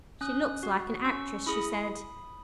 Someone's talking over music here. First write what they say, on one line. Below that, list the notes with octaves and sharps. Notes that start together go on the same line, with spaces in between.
"She looks like an actress," she said.
C#4 D#6 F#6
F#4
C#4 C#6 E6
E4 G#4 B5 D#6